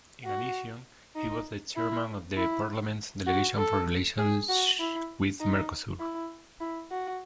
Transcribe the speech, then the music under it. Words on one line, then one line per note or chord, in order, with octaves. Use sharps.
In addition, he was the chairman of the parliament's delegation for relations with Mercosur.
F#4
D#4
E4
E4
F#4
A4
G#4
F#4
E4
D#4
E4
E4
F#4